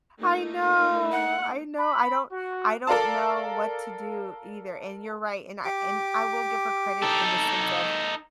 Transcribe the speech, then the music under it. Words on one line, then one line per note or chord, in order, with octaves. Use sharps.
I know, I know. I don't I don't know what to do either, and you're right, and I and I will give her credit in the sense of
A3 A#3 D#4
F#5
B5
F#4
A4 A#4 D5 F5 A5
G4 D6
D#4 A4